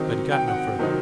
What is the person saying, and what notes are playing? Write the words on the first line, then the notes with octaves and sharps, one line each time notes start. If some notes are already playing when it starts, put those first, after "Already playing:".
But he got no further.
Already playing: C3 D#3 F#3 C4 D#4
G5
F#5
C3 D#3 F#3 C4 D#4